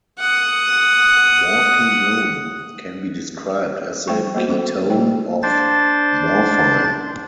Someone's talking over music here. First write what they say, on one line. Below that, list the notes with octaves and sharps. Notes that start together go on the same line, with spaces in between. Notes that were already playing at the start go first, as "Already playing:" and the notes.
Morphinone can be described as the ketone of morphine.
F#5 D#6
G3 A3 C5 G5 C#6
G3 A#3 B3 F#4 C5
F#4 A4 C5
G3 C5 G5
D4 C5 A6